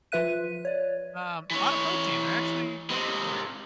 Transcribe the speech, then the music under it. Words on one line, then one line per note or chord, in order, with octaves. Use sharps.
um, a lotta of protein, they're actually quite good for you.
F3 F4 B4 E5 F#6 D#7
C#5 D5
E3 C#5
C3 G#3